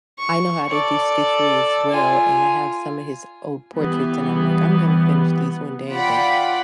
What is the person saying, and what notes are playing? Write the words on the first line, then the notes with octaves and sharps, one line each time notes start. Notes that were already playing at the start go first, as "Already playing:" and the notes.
I know how to do stitchery as well, and I have some of his old portraits, and I'm like, "I'm gonna finish these one day," but
C#6
A4 D5
F4 G#5
E3 G3 B3
F4 D5 F#5 G5 B5